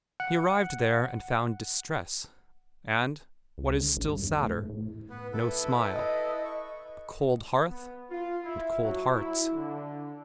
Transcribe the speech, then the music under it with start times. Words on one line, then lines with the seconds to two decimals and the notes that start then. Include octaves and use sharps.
He arrived there and found distress, and, what is still sadder, no smile; a cold hearth and cold hearts.
0.20 F#5
3.58 C#2
3.80 D3
3.97 A1
4.08 G2
4.23 E2
4.40 A3
4.55 A2
4.69 A2
5.10 B3 B4
5.33 E4 A4 B4
5.94 D#5
6.45 C#6
7.69 B3
8.10 F4
8.44 E4
8.83 F#3
9.14 E4
9.55 D3